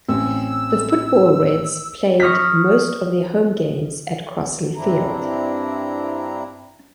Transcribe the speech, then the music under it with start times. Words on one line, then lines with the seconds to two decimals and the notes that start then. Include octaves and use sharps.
The football Reds played most of their home games at Crosley Field.
0.09 A1 C4 C#4 E6
2.20 C#6 D#6 F6 A#6 B6
4.76 G2 C4 D4 E4 A#5